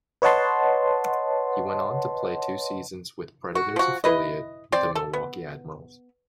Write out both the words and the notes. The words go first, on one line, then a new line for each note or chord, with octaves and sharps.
He went on to play two season's with Predators affiliate, the Milwaukee Admirals.
B4 C#5 D#5 F#5 A5 C6
F#4
F3 F#4
E4 B4 D#5
C4 C5 D5
A4
B3